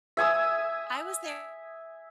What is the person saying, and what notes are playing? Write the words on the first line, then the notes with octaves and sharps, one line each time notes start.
I was there
E5 G#5 D#6 E6